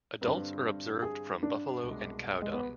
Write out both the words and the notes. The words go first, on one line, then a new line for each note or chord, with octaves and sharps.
Adults are observed from buffalo and cow dung.
G2 D3 G3 C4 B4
G#4
D4
C2 B2 G#3
G#3
B3